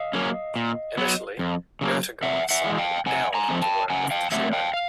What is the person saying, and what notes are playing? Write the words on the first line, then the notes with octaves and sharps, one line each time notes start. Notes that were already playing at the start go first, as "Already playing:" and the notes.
Initially, Ertegun assigned Dowd to work with the trio.
Already playing: D#5 F5
F#3 A#3 C#4
A#2
F#3 B3
F2
C#3 F#3 A#3
C3 E5 F#5
E5 F#5
E3 G#3
F5 G5
C3 F#5 G#5
G#5 A#5
F3 A3 C4
G5 A5
C#3 F#5 G#5
F5 G5
F#3 A3 C4 E5 F#5
F5 G5
F5